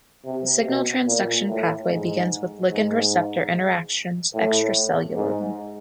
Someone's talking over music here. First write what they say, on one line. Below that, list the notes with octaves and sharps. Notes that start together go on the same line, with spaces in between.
The signal transduction pathway begins with ligand-receptor interactions extracellularly.
C3
B2
A#2
A2
G#2
G#2
A2
G#2